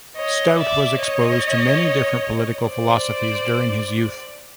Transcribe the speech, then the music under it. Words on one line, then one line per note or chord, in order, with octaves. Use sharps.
Stout was exposed to many different political philosophies during his youth.
C#5 D#5
D5 E5
C#5 D#5
C5 D5